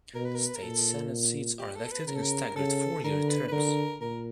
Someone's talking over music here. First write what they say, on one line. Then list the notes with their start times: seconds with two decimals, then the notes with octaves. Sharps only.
State Senate seats are elected in staggered four-year terms.
0.14 B2 A#4
0.25 B4
0.35 A#4
0.46 B4
0.55 A#4
0.63 A#2 A4
1.59 G4
1.75 A4
1.92 B4
2.07 C#3 A#4
2.16 A4
2.23 A#4
2.56 C#3 A4
3.04 D3 A#4
3.29 B4
3.48 B4
3.52 D3 A#4
4.01 A#2 A#4